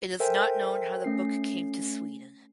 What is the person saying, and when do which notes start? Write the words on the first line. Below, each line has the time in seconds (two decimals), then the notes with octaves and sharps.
It is not known how the book came to Sweden.
0.20 A4 A#4 C5 E5 G5 G#5
1.04 A3 C#4 C7